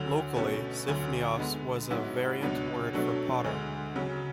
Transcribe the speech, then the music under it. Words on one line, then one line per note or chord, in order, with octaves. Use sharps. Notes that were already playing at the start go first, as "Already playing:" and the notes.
Locally, 'Sifnios' was a variant word for potter.
Already playing: D2 D3 F#3
B2 A3 C#4 F#4
D2 D3 F#3
D3 G#3 B3
G#2 F#3 B3 E4
C#2 B2 F#3 B3 D4
B2 F#3 A3 D4 F#4
D2 D3 G#3
C#3 F#3 C#4